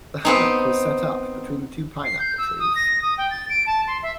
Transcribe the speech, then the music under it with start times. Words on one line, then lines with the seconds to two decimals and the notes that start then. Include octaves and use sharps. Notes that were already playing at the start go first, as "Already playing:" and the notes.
The hammock was set up between the two pineapple trees.
0.25 B3 C4 D#4
2.04 C7
2.19 G6
2.38 E6
2.59 D#6
2.76 A#6
3.02 D#6
3.18 G5
3.31 A6
3.50 D7
3.66 A5
3.87 C6
4.03 E5